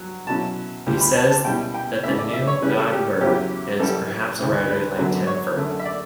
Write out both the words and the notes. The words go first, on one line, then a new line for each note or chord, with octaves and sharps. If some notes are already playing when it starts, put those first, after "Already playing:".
He says that the "new Godber" is perhaps a writer like Tim Firth.
Already playing: G2 F#3
B2 F#3 C#4 E4 A5
D2 C#3 G3
B5
A5
A5
B2 G3 C#4 E4 G5
G5
E2 C#3 E3 A3 C#4 E5
D5
E5
C#5
C#3 G3 C#4 E4 B4
A4
G4
E2 C#3 F#3 C#4 E4 G4
F#2 E3 G3 C#4 A4
D2 C#3 E3
B4
F#2 D3 F#3 B3
C#5
F#2 D3 A3
E5
D5